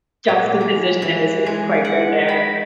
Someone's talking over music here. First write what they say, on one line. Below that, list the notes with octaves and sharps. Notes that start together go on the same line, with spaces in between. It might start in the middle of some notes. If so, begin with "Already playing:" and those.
juxtaposition is is quite good there.
A#2
G#3
E3
G#3
F#5
B5